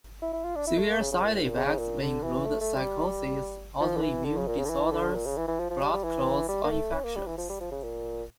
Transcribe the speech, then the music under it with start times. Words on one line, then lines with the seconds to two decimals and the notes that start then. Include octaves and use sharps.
Severe side effects may include psychosis, autoimmune disorders, blood clots, or infections.
0.22 E4
0.33 E4
0.44 F4
0.56 D4
0.67 E4
0.78 A3
0.90 A#3
1.00 C#3
1.12 C#3
1.23 A#2
1.34 A2
1.45 A#2
1.57 C#3
1.79 A#2
2.01 D3
2.24 E3
2.46 A3
2.61 A3
2.76 G3
3.80 F3
3.97 D3
4.03 E3
4.25 D3
4.37 C#3
4.47 A#2
4.59 C#3
4.65 D3
4.70 E3
4.92 D3
5.15 A#2
5.26 C#3
5.37 E3
5.48 E3
5.60 F3
5.71 F3
5.82 G3
5.93 G3
6.04 E3
6.49 G3
6.64 A#3
6.72 A3
6.93 C#4
7.04 A#3
7.16 G3
7.27 E3
7.38 F3
7.50 G3
7.60 F3
7.72 C#3
7.83 A#2